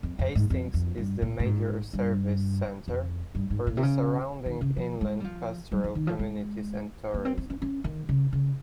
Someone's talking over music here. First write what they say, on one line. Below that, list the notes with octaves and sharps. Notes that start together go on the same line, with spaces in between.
Hastings is the major service centre for the surrounding inland pastoral communities and tourism.
F2
F2
G#2
F2
F2
G2
A#2
A#2
G#2
G2
F2
G2
G#2
A#2
C3
C#3
D#3
C#3
F3
G#3
G3
F3
G3
F3
D#3
F3
G#3
A#3
C4
C4
C#4
C#4
D#3
C#3
C#3